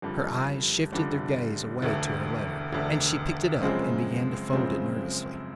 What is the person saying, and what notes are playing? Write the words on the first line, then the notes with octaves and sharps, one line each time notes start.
Her eyes shifted their gaze away to her letter, and she picked it up and began to fold it nervously.
F#1 F2 D3 G3
F#1 F2 D3 G3
E1 D2 D3
E1 D2 D3
F#2 C#3 F3 G#3 C4
F#2 C#3 F3 G#3 C4